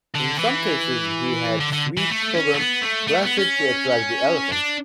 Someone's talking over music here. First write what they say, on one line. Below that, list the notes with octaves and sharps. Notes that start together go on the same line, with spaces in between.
In some cases he had sweet sorghum planted to attract the elephants.
D3
E3
D3
D3
E3
A3
C#4
A3
B3
A3
A3
B3
C#4
D4